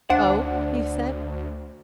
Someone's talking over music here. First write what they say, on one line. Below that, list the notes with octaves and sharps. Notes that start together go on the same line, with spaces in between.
"Oh!" he said.
D2 D4 C5 F#5